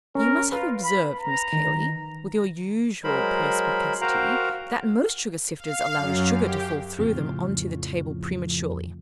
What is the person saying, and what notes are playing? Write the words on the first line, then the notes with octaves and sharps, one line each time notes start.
You must have observed, Miss Cayley--with your usual perspicacity--that most sugar-sifters allow the sugar to fall through them on to the table prematurely.'
C#4 A#4
F4 B4
B5
A#5
D#3
F#3 G#3 A#4 C5 B5
F#4 A#4 C5 F5 G5 A#5
F5
F#2
G4
F2 A2 C#3 F4